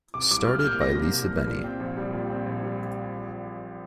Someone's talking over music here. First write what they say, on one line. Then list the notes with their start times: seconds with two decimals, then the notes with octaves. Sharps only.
Started by Lisa Bennie.
0.14 C3 D6
0.31 C2 D6
0.47 C2 F6
0.59 F6
0.64 A#3 G6
0.81 C3 A#6
0.97 C2
1.14 C2
1.31 A#3
1.47 A#2
1.64 C4
1.80 A#1
1.97 G3
2.13 A#2
2.30 C4
2.46 A#1
2.63 G3